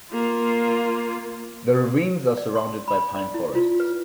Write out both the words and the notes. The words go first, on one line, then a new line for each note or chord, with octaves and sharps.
The ravines are surrounded by pine forests.
A#3 F4
D5
C6
B5
D5
E4
F4
B4